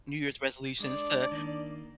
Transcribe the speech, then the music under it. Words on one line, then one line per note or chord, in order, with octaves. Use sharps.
New Year's resolutions to
G#3 D4 D5
D#3 A#3